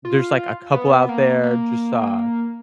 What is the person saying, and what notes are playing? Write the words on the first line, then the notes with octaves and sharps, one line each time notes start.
There's, like, a couple out there, just, uh,
F4
B3
B3
A#3
A#3